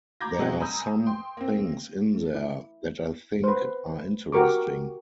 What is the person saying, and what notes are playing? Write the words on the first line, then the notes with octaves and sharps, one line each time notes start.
There are some things in there that I think are interesting.
A#5 B5 D6 G6 G#6 A#6
B2 F#3 G#3 C4 D4 F#4
G#5 A#5 B5 D#6 E6 G6
G5 C6
A#3 C4
E4
B4 C5
F#4 G4 A#4 C#6 D6